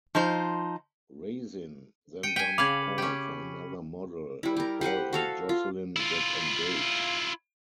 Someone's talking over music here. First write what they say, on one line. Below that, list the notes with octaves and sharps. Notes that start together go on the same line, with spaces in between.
Resin then dumps Paul for another model, and Paul and Jocelyn get engaged.
F3 D#4 C5
G5 C#7 D#7
G5 G#5 B6
C#3 F5 B5 D6 G#6 F#7
C#4 G4
G3 E4
G4 A#4
G4 B4 C5 F#5
F#4 A4 F5
F4
E4 F4